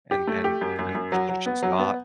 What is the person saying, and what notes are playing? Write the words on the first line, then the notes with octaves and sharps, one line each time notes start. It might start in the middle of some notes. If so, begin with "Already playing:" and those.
and and and sh sh she's not.
G4
A3
G4
F#2
F#2
F#2
F#3
F#3
B3
F#3
B3